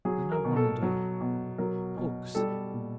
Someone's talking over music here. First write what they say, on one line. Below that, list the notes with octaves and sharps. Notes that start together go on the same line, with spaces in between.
Then I wonder--hooks?
F#3 G#4
A#4
B2
A4
F#3
B2
F#3 A#4
B2
G3 A4
A#2